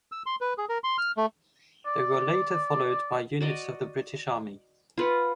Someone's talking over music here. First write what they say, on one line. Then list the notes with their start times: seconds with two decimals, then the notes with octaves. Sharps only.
They were later followed by units of the British Army.
0.12 E6
0.26 C6
0.41 B4
0.58 G#4
0.69 A#4
0.84 C6
0.98 F6
1.17 A3
1.86 D5
3.41 F#4 D5 D#5
4.98 F4 B4 F#5